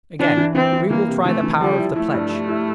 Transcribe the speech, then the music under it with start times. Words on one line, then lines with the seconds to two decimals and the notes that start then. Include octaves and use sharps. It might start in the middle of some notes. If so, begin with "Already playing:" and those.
Again: we will try the power of the pledge.
0.19 E3 D4
0.37 E3
0.55 E3 C4
0.72 E3
0.90 E3 A#3
1.08 C3
1.25 E3 A3
1.43 E3
1.61 F3 G3
1.78 E4
1.96 A3 E4
2.14 G2
2.32 E4
2.49 E4